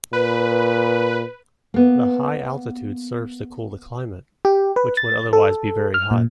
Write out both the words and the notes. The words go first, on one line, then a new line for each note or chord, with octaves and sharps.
The high altitude serves to cool the climate, which would otherwise be very hot.
A#2 B4
A#3 B3
G4
B4
A6
A4
F6
A#2